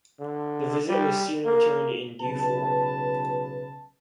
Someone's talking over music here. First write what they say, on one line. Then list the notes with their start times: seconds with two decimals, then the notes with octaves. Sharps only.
The visit was soon returned in due form.
0.20 D3
0.88 G3
1.46 A#3 A#4
2.21 B1 C#3 B4 A5